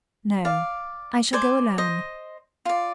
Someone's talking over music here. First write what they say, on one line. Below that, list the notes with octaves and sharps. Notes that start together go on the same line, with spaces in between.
"No; I shall go alone."
D5 F5
C5 D5 G#5
C5 D#5
F4 D5